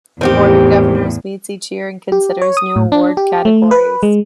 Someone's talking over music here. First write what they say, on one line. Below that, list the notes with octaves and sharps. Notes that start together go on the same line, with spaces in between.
The Board of Governors meets each year and considers new award categories.
E2 A2 D#3 C4 G4
G4
C#5
D#6
A2
D4
G4
A3
B4
G#3